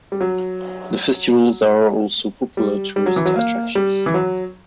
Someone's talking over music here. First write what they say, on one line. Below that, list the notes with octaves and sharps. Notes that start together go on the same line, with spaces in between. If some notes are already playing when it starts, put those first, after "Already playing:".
The festivals are also popular tourist attractions.
G3
F#3
G3
G3
F#3
E3
F#3
A#3
G3
E3
F#3